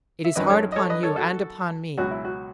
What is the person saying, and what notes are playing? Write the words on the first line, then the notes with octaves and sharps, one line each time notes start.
It is hard upon you,--and upon me.
E5
F#2 D#3 F#3 C#4 B4 D#5
A4 C#5
D#5
A4 C#5
B4 D#5
A4 C#5
F#4 A4
C#2 B2 F#3 C#4 F#4
E4
F#4